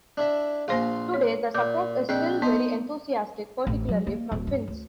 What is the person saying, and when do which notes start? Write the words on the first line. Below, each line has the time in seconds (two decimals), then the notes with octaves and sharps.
Today, the support is still very enthusiastic, particularly from Finns.
0.17 D4 E4 E5
0.68 A#1 A#3 F4 C5 F5 C6
1.14 C#5
1.55 A#2 D6 G6
2.09 A#1 C4 B4 D5 D#5 G5
2.42 B3 D#4 C5
3.67 A1
3.89 F#3
4.07 A#3
4.32 D1
4.47 G2
4.68 D2